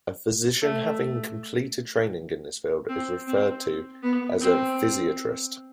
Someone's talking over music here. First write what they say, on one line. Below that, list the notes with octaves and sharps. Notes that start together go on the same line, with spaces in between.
A physician having completed training in this field is referred to as a physiatrist.
A3
C4
C4
B3
C4